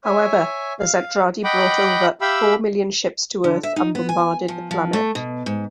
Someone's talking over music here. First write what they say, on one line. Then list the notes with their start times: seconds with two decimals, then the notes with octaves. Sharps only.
However the Zentradi bought over four million ships to Earth and bombarded the planet.
0.04 C#5 E5 G#5
0.80 F5
1.44 D#5 F#5 G5 B5 D6
2.21 G4 E5 F5 G5 B5 E6
3.44 D3
3.63 E5
3.76 D#4
3.95 B3
4.09 G#5
4.48 F3
4.71 F3
4.93 A3
5.15 B2
5.46 G#2